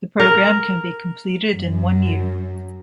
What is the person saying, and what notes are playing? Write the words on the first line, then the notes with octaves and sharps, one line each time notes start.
The program can be completed in one year.
A#4
F#2